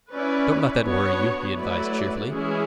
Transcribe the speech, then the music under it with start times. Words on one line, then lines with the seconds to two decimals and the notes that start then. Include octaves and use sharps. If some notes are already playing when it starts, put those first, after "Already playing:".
"Don't let that worry you," he advised cheerfully.
0.12 C#4 E4 B4 D5
0.85 B3 D4 F#4 C#5
1.57 F#3 A3 E4 B4 D5
2.30 E3 G#3 C#4 E4 G#4